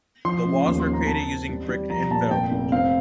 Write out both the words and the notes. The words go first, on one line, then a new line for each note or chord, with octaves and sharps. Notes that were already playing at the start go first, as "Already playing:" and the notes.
The walls were created using brick infill.
F3 C6
A1
D#2 C6
C6
C4
A#5
C4 A5
C4
G3
G3
F3 A#5
A#2 A5
F1 G5
F1
C4 F5